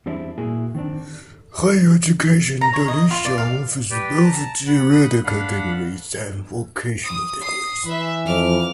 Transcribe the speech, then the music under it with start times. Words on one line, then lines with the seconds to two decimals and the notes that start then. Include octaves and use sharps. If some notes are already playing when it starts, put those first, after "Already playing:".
Higher education in Indonesia offers both theoretical degrees and vocational degrees.
0.06 E2 G3 C4 D4 E4
0.38 A#2 A#3 E4 F#4 G#4
0.75 D#3 C4 D4
2.61 A#5
2.73 C#5
2.88 D#5
3.11 F4
3.25 D5
3.38 F5
3.91 G4 B4 D5 G5
4.24 A5 A#5
4.67 F#5 B5
4.92 F#5 B5 D#6 F#6
5.24 D4 F5 F#5 B5
7.04 D#6
7.41 D#6 C7
7.85 E3 B4 E5
8.26 F2 D6 F6